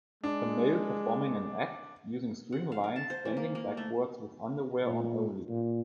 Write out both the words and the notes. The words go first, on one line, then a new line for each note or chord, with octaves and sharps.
A male performing an act using string lines bending backwards with underwear on only.
G#3 D4
F#5
F5
A#4
A5
C5
E3
A#3
A#3
A3
A#2
A#2